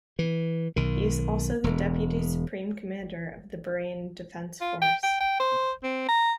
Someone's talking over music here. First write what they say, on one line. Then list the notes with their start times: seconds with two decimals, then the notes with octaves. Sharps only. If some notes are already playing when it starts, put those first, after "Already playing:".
He is also the deputy Supreme Commander of the Bahrain Defense Force.
0.19 E3
0.76 B1 D#3
1.64 E1
4.61 F4
4.82 G5
5.03 G5
5.20 G5
5.40 C5
5.83 C4
6.08 A#5